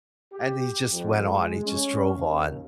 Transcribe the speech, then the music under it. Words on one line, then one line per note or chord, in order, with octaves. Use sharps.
And he just went on. He just drove on.
G4
F2
G#3
C#4
D#2